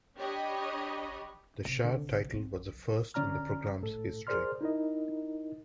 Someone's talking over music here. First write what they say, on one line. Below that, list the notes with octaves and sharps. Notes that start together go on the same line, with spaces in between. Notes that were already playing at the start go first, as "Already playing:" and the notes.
The shared title was the first in the program's history.
D4 G4 C#5 D#5 B5
C3
D3
C4
D3 C#4 D5 A#5 F6
A2 A4
G#4 A#4 C5 D5 C6 F6
D#4 E4 A#4 D#5